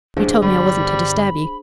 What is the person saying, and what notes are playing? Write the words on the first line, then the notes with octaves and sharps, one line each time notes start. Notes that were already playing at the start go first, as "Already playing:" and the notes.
You told me I wasn't to disturb you.
A1 G2 A#2 D4 G#4 C5
G1 G3 B5